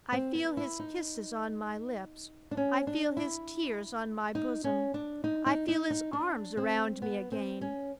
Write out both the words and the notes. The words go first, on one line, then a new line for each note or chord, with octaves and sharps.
I feel his kisses on my lips; I feel his tears on my bosom; I feel his arms round me again.
C4
B3
E4
D#4
D4
C#4
D4
E4
D#4
C#4
D4
D#4
D#4
D#4
D#4
D4
C4
B3
C4
C#4